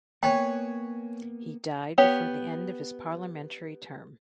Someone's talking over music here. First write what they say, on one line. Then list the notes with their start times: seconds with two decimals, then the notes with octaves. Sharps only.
He died before the end of his parliamentary term.
0.23 A#3 B3 B4 C#5 G5 G#5
1.98 B3 G4 C#5